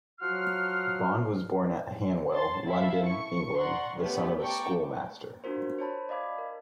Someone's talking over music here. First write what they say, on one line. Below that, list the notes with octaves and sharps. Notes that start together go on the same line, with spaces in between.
Bond was born at Hanwell, London, England, the son of a schoolmaster.
F3 F#3 F#4 F#5 C6 F6
C#5 A5 C6 A6
E4 A4 E5 F5
C#6 C#7
D5 F#5 A#5 C6 C#6
A3 B3 C#4 G4 B4
D5 G5 A5 A#5 C#6 D6
D4 F4 F#4 A#4 C5
C5 C#5 A5 B5
D5 D#5 F5 B5 D6 G#6
A#4